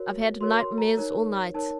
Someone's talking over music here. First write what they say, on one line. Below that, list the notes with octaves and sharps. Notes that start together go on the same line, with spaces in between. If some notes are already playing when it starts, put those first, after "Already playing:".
"I've had nightmare all night!"
Already playing: F#4 A#4 C#5
F#4 A#4 C#5 C6
C6
A#5
D#4 A#4 C#5
D#4 A#4 C#5 A5